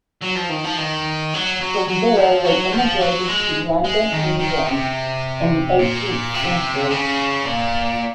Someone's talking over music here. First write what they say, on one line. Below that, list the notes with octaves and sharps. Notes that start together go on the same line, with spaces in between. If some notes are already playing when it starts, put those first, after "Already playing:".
From there they immigrated to London, England in the eighteenth century.
F#3
F3
D#3
F3
D#3
F#3
F#3
F#3
F3
F#3
F3
F#3
G#3
G#3
D#3
D#3
C3
A#2
C3
C#3
A#2